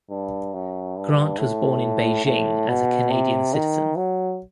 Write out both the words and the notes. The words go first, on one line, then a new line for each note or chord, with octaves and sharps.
Grant was born in Beijing as a Canadian citizen.
G2
F#2
G2
A2
A2
B2
C3
D#3
F#3